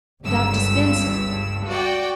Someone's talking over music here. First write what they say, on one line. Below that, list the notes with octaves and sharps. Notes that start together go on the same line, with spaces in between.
"Dr. Spencer."
G1 C#2 G2 E6
F#4 D5 G5